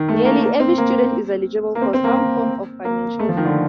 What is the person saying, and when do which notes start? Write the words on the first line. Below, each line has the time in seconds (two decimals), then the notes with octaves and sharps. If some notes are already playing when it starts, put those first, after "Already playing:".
Nearly every student is eligible for some form of financial aid.
Already playing: D#3
0.08 A3
0.25 A#3
0.43 A#3
0.59 C4
0.78 A#3
1.75 A#3
1.81 C4
1.93 C4
2.04 A#3
2.16 A#3
2.85 A#3
3.19 A3
3.29 F3
3.37 D#3
3.45 D3